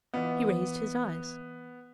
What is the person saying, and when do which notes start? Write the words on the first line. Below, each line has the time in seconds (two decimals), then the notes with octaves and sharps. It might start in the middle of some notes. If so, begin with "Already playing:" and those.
He raised his eyes.
0.14 E3 B3 F4 D#5